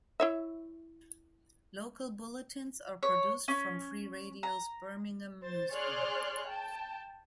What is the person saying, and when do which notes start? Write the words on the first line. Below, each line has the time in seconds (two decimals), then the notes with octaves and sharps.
Local bulletins are produced from Free Radio's Birmingham newsroom.
0.20 E4 C#5 E5
3.03 C#5
3.48 C#4
4.43 A#5
5.41 C5 A6
5.72 G#4 C#5 D5 C6 F6 F#6
6.47 G5 A5